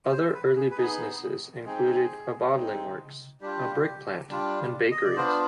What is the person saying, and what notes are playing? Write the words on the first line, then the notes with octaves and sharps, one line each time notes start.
Other early businesses included a bottling works, a brick plant, and bakeries.
C5
B4
G#4
B4
B3 D#4 G#4
G#3 C4 D#4 G#4
G4
G#4
G#3 C4 D#4
G3 D4 F4 G4
G3 D4 F4
D#5
D5
B3 D4 F4 C5